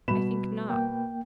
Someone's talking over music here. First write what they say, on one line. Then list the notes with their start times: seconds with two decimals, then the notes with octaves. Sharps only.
I think not.
0.08 B2 G3 B3 B5 E7
0.70 A#3 G5